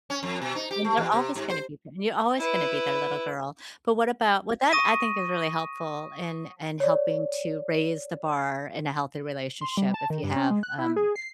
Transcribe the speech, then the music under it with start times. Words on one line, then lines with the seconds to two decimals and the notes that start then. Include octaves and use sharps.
and they're always gonna be you're always gonna be their little girl, but what about well, that I think is really helpful, in in helping to raise the bar in a healthy relationship, if you have, um,
0.10 C#4
0.23 F2
0.42 B2
0.55 D#4
0.71 G4
0.85 A3
0.97 E2
1.12 C3
1.35 G#2
1.50 C5
2.38 E4 B4
4.72 C#6 D#6 A#6 D#7
6.80 C#5 D5
9.61 C6
9.77 G3
9.94 A5
10.10 D#3
10.23 G2
10.36 C#4
10.51 G#3
10.63 F#6
10.78 E4
10.96 G#4
11.16 C7